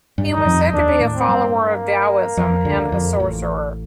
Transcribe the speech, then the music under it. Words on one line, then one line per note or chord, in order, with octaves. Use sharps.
He was said to be a follower of Taoism and a sorcerer.
G2 G3
D#4
D#3
F2 F3
D#2 D#3 D4
A2 A3
C4
G2 G3
A#3
F2 F3
D2 D3
F2 F3
A1 A2